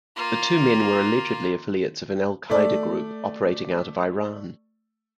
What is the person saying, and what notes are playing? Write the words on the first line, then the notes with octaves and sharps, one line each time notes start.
The two men were allegedly affiliates of an Al-Qaeda group operating out of Iran.
A#3 F4
A3 D5